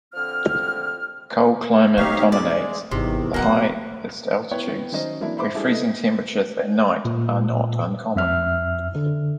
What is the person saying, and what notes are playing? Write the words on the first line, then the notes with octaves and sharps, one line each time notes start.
Cold climates dominate the highest altitudes where freezing temperatures at night are not uncommon.
D3 F3 C4 F6
B1 A3 D#4 G4 C#5 F5
G#3 D5
G#1 E2 C3 D#3
B2 F3 F#3 A#3 F#5
B3 E4 C#5 G5
D#3 F#3 C#4 D#4 C5 D#5
E3 F#3 A#3 C4 D4 E4
C5 E5 B5 C6 D6
G3 D4 E4 G#4 A4 D5
A3 B3 D#5 E5
A#2
F2 E5 F6
D3